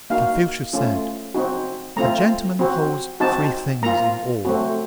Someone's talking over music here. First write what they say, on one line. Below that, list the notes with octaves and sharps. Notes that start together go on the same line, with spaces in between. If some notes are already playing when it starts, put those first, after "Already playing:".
Confucius said, A gentleman holds three things in awe.
A#3 D#4 F#4 F5
A3 C#4 F4
C4 D#4 F#4
A3 C4 F4 A#5
C4 F#4
C4 D#4 F#4 A5
A#3 F4 A#5
A3 C4 F#4